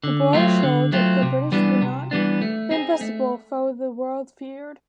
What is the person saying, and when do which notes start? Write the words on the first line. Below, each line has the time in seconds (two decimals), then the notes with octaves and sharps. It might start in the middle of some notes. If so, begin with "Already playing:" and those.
The Boers showed that the British were not the invincible foe the world feared.
0.04 D3
0.33 F#3 A3 C4 F4
0.63 D3
0.92 F#3 A3 C4 F4
1.22 C3
1.52 E3 G3 B3 D4
1.82 C3
2.11 E3 G3 B3 D4
2.42 A3
2.71 C4 D#4 G#4
3.01 A3